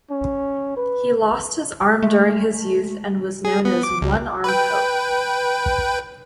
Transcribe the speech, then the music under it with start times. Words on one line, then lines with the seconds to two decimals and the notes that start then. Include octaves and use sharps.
He lost his arm during his youth and was known as "One-Arm Pope".
0.11 C#4
0.77 B4
2.02 G#3 A3
3.45 G#4
3.65 B3
3.83 D6
4.01 C#2
4.44 B4 G5